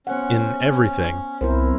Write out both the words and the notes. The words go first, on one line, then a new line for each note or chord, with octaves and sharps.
"In everything."
B3 C#4 C5 F#5
C2 G3 B3 C4 E4 A#4 C5